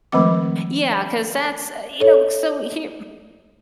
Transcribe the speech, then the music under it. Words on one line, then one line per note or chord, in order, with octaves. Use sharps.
Yeah, 'cause that's uh, you know, c uh, so, here
D#3 F3 G#3 A3 C4 D6
A4 C#5